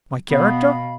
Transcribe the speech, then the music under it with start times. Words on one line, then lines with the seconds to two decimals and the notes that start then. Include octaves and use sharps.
"My character?"
0.31 B2 B3 F5 B5